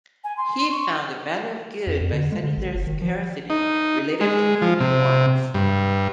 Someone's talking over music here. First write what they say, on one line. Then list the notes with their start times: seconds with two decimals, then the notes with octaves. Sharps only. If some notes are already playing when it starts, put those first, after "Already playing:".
He found the value of goods by setting their scarcity relative to human wants.
0.24 G#5
0.37 C6
0.71 C#6
1.87 F2
2.01 F2
2.13 D3
2.32 G#3
2.43 D3
2.57 A1
2.74 F#1
2.87 D#3
3.02 F3
3.50 D#4
4.21 G#3
4.62 F3
4.80 C3
5.54 G2